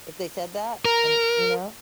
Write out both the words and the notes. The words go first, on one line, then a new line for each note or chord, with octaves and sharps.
if they said that and, you know,
A#4